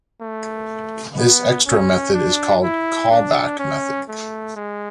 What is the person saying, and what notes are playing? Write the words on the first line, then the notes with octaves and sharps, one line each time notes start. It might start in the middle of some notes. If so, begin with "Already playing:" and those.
This extra method is called CallBack Method.
A3
B3
C#4
D4
E4
D4
C#4
A3
G#3